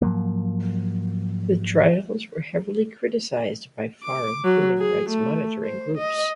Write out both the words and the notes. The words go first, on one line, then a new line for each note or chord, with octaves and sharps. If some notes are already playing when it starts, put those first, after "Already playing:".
The trials were heavily criticised by foreign human rights monitoring groups.
G#2 F3 F#3 A#3
D6
F#3
G#4
A3
C5
D#5